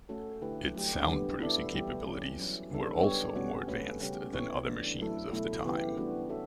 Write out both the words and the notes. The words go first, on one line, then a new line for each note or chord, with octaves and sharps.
Its sound-producing capabilities were also more advanced than other machines of the time.
A3 C#4 F#4 A4
D3 A3 E4 G4 B4
F#3 A3 D4 G4
D3 G3 B3
B3 E4 A4 D5
E3 G3 B3 E4 G4
E3 G3 C#4
F#3 C#4 E4
C#3 G3 B3 D4 A4
G3 B3 D4 G4 C#5
B2 G3 C#4 F#4
A3 C#4 F#4 B4
C#3 G3 C#4 G4
B3 E4 G4 C#5
E3 A3 D4
F#3 A3 E4 A4
B2 F#3 A3 E4
C#3 E3 B3 E4 G4
E3 G3 B3 D4 F#4
C#4 F#4 A4 E5